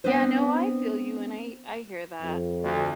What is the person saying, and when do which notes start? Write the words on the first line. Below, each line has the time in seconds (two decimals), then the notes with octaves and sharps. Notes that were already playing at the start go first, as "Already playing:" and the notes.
Yeah, no I feel you, and I I hear that.
0.04 B3 C4 D4 B4 C5
2.22 F2
2.63 D2